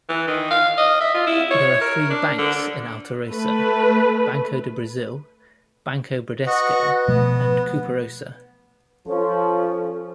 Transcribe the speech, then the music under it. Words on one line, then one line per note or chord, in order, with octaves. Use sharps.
There are three banks in Alterosa: Banco do Brazil, Banco Bradesco and Cooperosa.
E3
D#3
F5
D#5
E5
F4
E4
C#5
A#4
D4
D3
A3 B4
F#4 B4 D#5 F#5
B2 F3 A3 B3
F3 C#4 A4